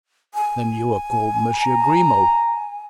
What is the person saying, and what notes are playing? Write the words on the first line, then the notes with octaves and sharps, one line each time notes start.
"Then you are called Monsieur Grimaud?"
G#5
A#5